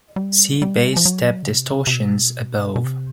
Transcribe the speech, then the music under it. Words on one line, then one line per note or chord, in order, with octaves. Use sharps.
See base step distortions above.
G3
G3
F3
F#3
C#3
C3
C3
B2
B2
C3